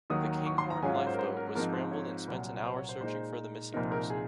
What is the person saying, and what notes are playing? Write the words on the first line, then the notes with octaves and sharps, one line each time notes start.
The Kinghorn lifeboat was scrambled and spent an hour searching for the missing person.
D#2 D#3 F#3 A#3 D#6
C#6
C6
A#5
G#2 F#3 C#4 F4 G#5
F5
C5
A#4
C5
A#4
G#2 F3 C4 D#4 A#4
C5
C#5
C2 A#2 F#3 A#3
C5
C#5
C5
A#2 G#3 D#4 C5
C2 A#2 F3 C4 D#4 A#4
A#4
G#4